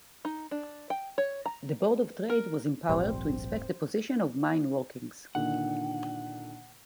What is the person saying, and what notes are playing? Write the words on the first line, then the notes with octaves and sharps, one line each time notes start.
The Board of Trade was empowered to inspect the position of mine workings.
D#4
D4
G5
C#5
A#5
A#4
E1 A#1 G#2 G3 C4 C5
A#2 D3 D#3 F#5